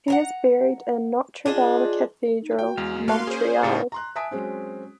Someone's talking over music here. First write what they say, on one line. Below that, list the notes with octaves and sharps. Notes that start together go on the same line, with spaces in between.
He is buried in Notre Dame Cathedral, Montreal.
F#5 G#5 A#5
D4 F4 G#4 D#5
D#4
F#4 G5
E2 G#3 F5
A3 A#3 F5 F#5 C6
C#4 G#4 C5
A2 C#3 D#4 G4 A4
A#5 C6 F#6
E5 G#5 A5 D#6 B6 D7
F#3 G#3 C4 C#4